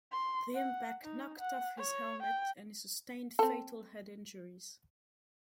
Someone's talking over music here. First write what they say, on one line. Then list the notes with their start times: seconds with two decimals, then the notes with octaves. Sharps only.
The impact knocked off his helmet and he sustained fatal head injuries.
0.12 C6
0.55 F#5
1.04 D#4
1.39 F#5
1.77 C#5
2.22 G5
3.39 C4 A4